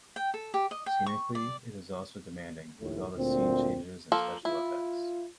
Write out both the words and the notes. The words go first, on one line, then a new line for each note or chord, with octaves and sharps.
Scenically, it is also demanding, with all the scene changes and special effects.
G5
A4
G4
D#5
G5
C#6
D5
A#1 D#2 A2
D2 A#2 C4
F3 A#3 A4
E4 F4